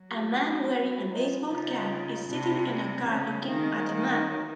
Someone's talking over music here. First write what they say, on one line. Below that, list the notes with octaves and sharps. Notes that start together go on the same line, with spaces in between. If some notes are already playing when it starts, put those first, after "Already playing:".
A man wearing a baseball cap is sitting in a car looking at a map.
Already playing: F#3
F4 G4
E4 F#4
D#4 F4
C#3 D#4 F4
C3 D4 E4
C#3 C4 D4
B3 C#4
A3 B3
D#3 G#3 A#3
E3 F#3